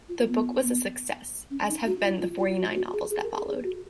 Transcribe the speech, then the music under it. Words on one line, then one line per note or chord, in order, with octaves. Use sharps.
The book was a success, as have been the forty-nine novels that followed.
F4
B3
C#4
D#4
F#4
F4
F4
F4
F#4
F#4
G#4
G#4
A#4
G#4
G#4
F#4